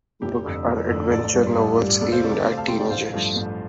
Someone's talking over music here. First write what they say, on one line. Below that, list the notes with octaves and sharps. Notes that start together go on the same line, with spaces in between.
The books are adventure novels aimed at teenagers.
F1 G4
F2 D3
F1
F2 D3
A1 A4 D5
G2 G3
A1
G2 G3
D2 A4 D5
C5 F5
C3 A3 A4 D5
A4 D5
D2 C5 F5
F5 A5
C3 A3 G5 C6
D5 G5
A1 C5 F5
G2 F3 A3
A1